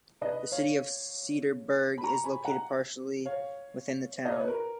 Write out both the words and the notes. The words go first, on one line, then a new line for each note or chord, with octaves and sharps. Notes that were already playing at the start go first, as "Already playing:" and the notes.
The City of Cedarburg is located partially within the town.
B4 D#5
C#5 F5
B5
A#5 C#6
G#5 B5
F#5 A#5
C#5 F5
D#5
C#5
B4
A#4